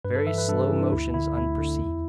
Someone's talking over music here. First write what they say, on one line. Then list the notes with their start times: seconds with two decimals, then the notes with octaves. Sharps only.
Very slow motions unperceived.
0.05 G2 B4
0.16 A4
0.27 E3 E5
0.38 B4
0.49 G2 A4
0.59 G4
0.71 E3 E4
0.82 D4
0.92 D2 E4
1.14 D3 E4
1.37 D2 E4
1.58 D3
1.80 E2